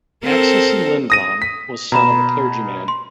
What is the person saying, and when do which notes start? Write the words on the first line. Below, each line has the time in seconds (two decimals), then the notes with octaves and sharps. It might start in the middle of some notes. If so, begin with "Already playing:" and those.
Axelsson Lindblom was son of a clergyman.
0.23 C4 A4 A#4
1.10 D#6 A#6 D#7
1.42 B6
1.92 B2 A#5 B5 E7
2.88 C6